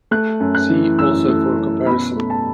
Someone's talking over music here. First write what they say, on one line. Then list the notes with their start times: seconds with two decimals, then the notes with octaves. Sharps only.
See also for a comparison.
0.11 A3 F#6
0.40 F#2
0.55 F#6
0.70 E3
0.99 F#2 E6
1.28 A3
1.57 F#2
1.86 B2 B5
2.16 A3
2.30 A5